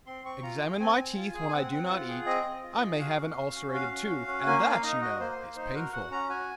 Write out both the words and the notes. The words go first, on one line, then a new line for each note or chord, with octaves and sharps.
Examine my teeth when I do not eat; I may have an ulcerated tooth, and that, you know, is painful.
C4 C6
C4 C#6
F4 A#5
G#4
C4 G#5
C4
F4
G#4
G#5
C4 F#5
C4
F4
G#4
C4 D#5
C4
F4
G#4
F#4 F5
C#4
F#4
C#4
F#4 F5
C#4
F#4
C#4
A#3 G#5
F5
A#3
F5
D#4 D#5
F#4 D#5
A#3 C5
C5
A#3
D#4 C5
F#4 A#4
F#4 F#5
C#4 A#5
F#4 G#5